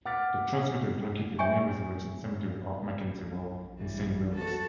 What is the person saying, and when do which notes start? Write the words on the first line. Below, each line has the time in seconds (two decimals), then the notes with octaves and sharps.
The transmitter is located near Resurrection Cemetery off Mackenzie Road in Saint Louis.
0.05 F#5 D6 F6 A6 B6
1.39 C#5 E5 G5 G#5 C#6
3.77 E3 G3
4.35 F#4 A4